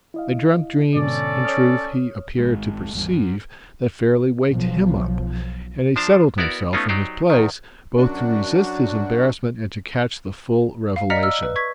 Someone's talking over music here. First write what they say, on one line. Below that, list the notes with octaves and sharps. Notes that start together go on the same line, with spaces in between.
They dreamt dreams, in truth, he appeared to perceive, that fairly waked HIM up, and he settled himself in his place both to resist his embarrassment and to catch the full revelation.
E4 D#5 F5
G#2 B2 D3 C#4 A4 D5
C#5 D#6 F6
G#1 G#3
G#1 E2 G3
F#2
B1 F3
F3 D4 C5 A5 A#5
B3 E4 F#4 A#4 D5
A3 B3 C#4 D#4 F4
F#3 D#4 G4 C5 D5
E2 D#3
F#2 D4 F#4
F5
D5 D#5 A#5 F6 B6 C#7
E6 F6
B4
C#6 G#6 B6